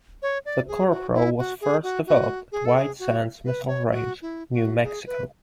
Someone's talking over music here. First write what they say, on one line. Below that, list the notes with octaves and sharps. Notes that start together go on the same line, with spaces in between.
The Corporal was first developed at White Sands Missile Range, New Mexico.
C#5
D5
G#4
F#4
E4
F#4
G#4
F#4
F#4
G#4
A4
G#4
F#4
B4
C#5
F#4
E4
F#4
G#4
B4